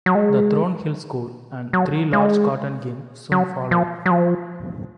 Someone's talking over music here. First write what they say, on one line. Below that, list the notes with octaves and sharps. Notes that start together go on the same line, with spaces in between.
The Thorn Hill School and three large cotton gins soon followed.
F#3
G#3
F#3
G#3
F#3
F3
F#3
F3